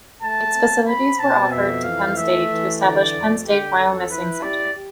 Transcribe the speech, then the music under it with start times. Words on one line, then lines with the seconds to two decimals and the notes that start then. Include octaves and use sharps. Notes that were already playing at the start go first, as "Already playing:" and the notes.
Its facilities were offered to Penn State to establish Penn State Wyomissing Center.
0.22 A3 A5
0.55 C4
0.86 C4 B5
1.19 B2 A5
1.51 F2 E5
1.84 E3 F5
2.16 A3 E5
2.49 E3
2.81 D3 D5
3.13 F2
3.46 D3 G4
3.77 F2 A4
4.10 E4 B4
4.42 G4 D5
4.75 G4